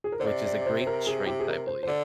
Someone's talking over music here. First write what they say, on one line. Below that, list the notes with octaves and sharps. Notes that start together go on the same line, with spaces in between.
which is a great strength, I believe,
G#4
A#4
D3 C5
C3 D5
D5
D5
C5
C5
A#4
G#4
G4
G#4
A#4
C5
C5
D3 D5